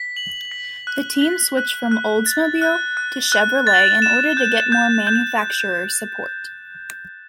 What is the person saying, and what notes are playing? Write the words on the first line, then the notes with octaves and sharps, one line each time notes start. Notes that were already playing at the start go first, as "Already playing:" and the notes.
The team switched from Oldsmobile to Chevrolet in order to get more manufacturer support.
Already playing: B6
F#7
B6
F#6
B6
F#6
F#6
A6
F#6
F#6
F#6
A6
E7
G6
G6
G6